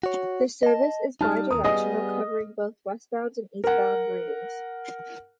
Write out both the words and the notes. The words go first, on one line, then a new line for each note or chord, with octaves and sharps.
This service is bi-directional, covering both westbound and eastbound routings.
F#4 C#5
D#5 A5
G3 D#4 A5 F6
D#2 G#2 A#4 D#6
G3 B3 G#4 D#5
A#4 F#5